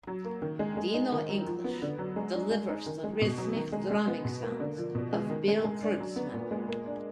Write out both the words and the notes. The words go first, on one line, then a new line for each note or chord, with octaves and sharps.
Dino English delivers the rhythmic drumming sounds of Bill Kreutzmann.
F#3
A#3
D#3
G#3
G#3
D#4
D#3
F#3
F3
B3
D3
F#3
G#3
D4
G#3
D#4
D#3
G#3
B2
F#3
D#3
G#3
G#3
B3
B2
A#3
D3
F3
B2
G#3
D#3
G#3
G#3
D4
F#3
B3
A#2
G#3
A#3
D4